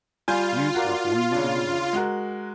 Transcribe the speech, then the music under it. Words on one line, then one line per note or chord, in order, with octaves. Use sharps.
Hughes was wounded in the leg.
G3 F4 G#5 G6
F#4 A#4 D5
C#3 D4
G#3 F#4 A#4